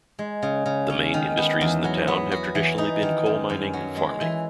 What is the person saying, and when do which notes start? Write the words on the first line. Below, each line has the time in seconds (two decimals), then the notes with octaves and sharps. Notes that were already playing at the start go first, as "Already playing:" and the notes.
The main industries in the town have traditionally been coal mining and farming.
0.19 G#3
0.43 C#3
0.66 C#3
0.90 C#4
1.14 D#3
1.37 B3
1.61 E2
1.84 F#3
2.08 B3
2.32 F#4
2.55 E3
2.78 D#4
3.02 D#3
3.26 F#2
3.49 F#2
3.74 F#3
3.97 G#3
4.21 E3